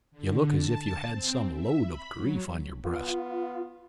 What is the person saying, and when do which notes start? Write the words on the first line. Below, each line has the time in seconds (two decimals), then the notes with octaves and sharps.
You look as if you had some load of grief on your breast.
0.12 D3
0.52 A5
1.10 C4
1.52 E5
1.84 B5
2.14 F#3
2.85 B3 F4